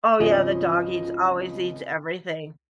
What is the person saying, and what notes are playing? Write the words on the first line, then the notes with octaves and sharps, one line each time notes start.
Oh, yeah, the dog eats always eats everything.
G#1 C#2 F3 C#4 D#5 G#5